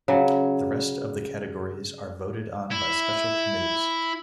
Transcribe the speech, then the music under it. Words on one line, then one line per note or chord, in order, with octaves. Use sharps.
The rest of the categories are voted on by special committees.
C#3 F#3
E4